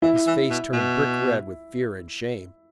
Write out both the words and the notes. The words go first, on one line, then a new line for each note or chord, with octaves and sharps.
His face turned brick-red with fear and shame.
E3 E4
E3
B2
B2